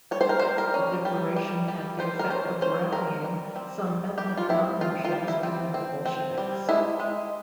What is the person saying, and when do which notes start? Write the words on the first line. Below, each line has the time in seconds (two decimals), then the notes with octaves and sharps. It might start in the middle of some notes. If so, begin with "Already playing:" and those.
The declaration had the effect of rallying some ethnic non-Russians behind the Bolsheviks.
0.11 G3 C#5
0.21 C5
0.29 A#4
0.39 C5
0.42 G3
0.58 A#4
0.74 C#4
1.05 G3
1.36 G3
1.68 G3
1.99 G3 C5
2.19 A#4
2.30 C#4 C5
2.61 C#4 C5
2.92 C4 A#4
3.24 G3
3.56 C4
3.87 G3
4.18 G3 G4
4.37 F4
4.49 C4 E4
4.81 C4 F4
5.05 F4
5.12 G3
5.28 E4
5.43 C4
5.74 C4
6.06 C4
6.38 G3
6.69 G#3 E4
7.00 G#3